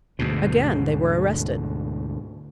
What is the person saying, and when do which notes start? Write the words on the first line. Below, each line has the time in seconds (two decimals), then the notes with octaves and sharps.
Again they were arrested.
0.19 D2 G#2 B2